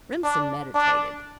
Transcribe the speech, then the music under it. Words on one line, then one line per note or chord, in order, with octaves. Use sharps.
Remsen meditated.
D4
D4